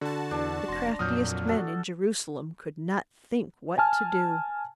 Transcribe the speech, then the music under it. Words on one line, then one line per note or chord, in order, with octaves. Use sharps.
The craftiest men in Jerusalem could not think what to do.
D3 F#4 A5
E2 D4
F1 C6 A#6
F2 A#2 F#3 D#6 F6 G6
F#4 A4
G#5 A5 F6